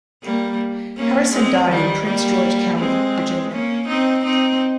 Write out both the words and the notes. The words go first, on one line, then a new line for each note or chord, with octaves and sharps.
Harrison died in Prince George County, Virginia.
G3 A#3
A#3 C#4
G#3 C4
D#3 G3
G3 A#3
G#3 C4
A#3 C#4
C4 D#4
C4 D#4